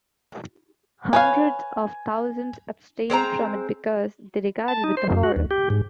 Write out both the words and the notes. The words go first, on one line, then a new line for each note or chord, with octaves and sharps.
Hundreds of thousands abstain from it because they regard it with horror.
B4 C#5 F5 G#5
G#3 C4 D5 A#5
A5
D#4
C5
F#2
F#4
D#2
G4
G#2